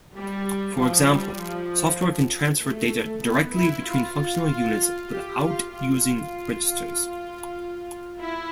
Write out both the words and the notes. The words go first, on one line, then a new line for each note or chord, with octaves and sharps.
For example, software can transfer data directly between functional units without using registers.
G3
F3
G3
F3
A3
B3
E4
F4
G4
F4
F4
E4